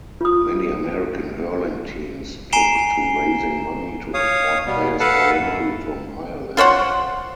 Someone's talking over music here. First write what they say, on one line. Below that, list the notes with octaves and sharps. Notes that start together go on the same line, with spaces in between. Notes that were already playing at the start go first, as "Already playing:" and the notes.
Many American hurling teams took to raising money to import players directly from Ireland.
F4 D#6
G#5 A#5 C7 D7 E7 G7
C#5 F5 D#6
B2 G3 B3
A4 B4 F5 F#5 A5
F#2
F4 C5 C#5 F#5